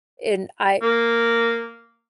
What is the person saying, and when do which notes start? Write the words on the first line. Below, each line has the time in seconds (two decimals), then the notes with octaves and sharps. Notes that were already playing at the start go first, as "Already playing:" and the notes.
and I
0.82 A#3